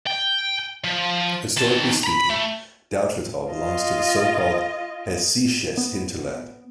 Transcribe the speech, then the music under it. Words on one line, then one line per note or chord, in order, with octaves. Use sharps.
Historically speaking, Dautphetal belongs to the so-called "Hessisches Hinterland".
G5
F3
D#3 A5
A#5 B5
A3
F4 D#5
B3